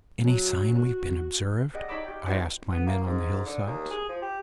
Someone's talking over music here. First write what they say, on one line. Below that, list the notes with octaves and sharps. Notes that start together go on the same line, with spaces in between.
"Any signs we have been observed?" I asked my men on the hillsides.
F#3
F#4
G4 G#4 D5 D#5 F#5
D#4 C#5 D5 B5 D6 E6
G4 G5
D#4 F#4 B4 C5 D5 G5
B3
A#3
G#2
D3
D#2
G#4
F3
G4